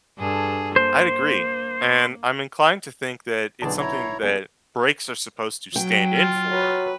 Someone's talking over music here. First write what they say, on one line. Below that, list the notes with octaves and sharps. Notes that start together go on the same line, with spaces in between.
I'd agree, and I'm inclined to think that it's something that breaks are supposed to stand in for,
G2 G#4 A4
A#3 C5
B1 D3 E3 G#4 D5 A5
E4 C#5 A#5
F#2 B3 G#4
F#3 G5
F4
F#3 B4